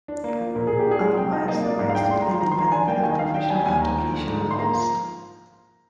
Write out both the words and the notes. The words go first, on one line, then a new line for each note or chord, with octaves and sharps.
Otherwise, the rights to claim the benefit of provisional application are lost.
D4
A#3
F3
A#2 A#4
A#2 G#4
G4
D4 G#4
G#3
C3 G5
D#4 D#5
A#3 D#5
F3 D5
G#2 F5
F5
D4 G5
G#3 C6
A#5
F3 C6
D#3 A#5
C6
D#3
A#5
D4 G#5
A#3 G5
D#3 G#5
D#5
D#3 F5
D4 G5
G3 G#5
D#2 G#5
D#2 A#5
F3
D3
G#2
G#2
C6
A#3 A#5
F3